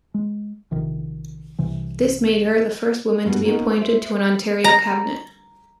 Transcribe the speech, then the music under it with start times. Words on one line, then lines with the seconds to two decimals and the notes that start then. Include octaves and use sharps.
This made her the first woman to be appointed to an Ontario cabinet.
0.14 G#3
0.71 A#1 C3 D#3
1.59 C2 C3 E3
3.25 G2 B2 G3 B3
3.45 A#3 B3 C#4 D#4
3.77 C5 E5
4.64 A#5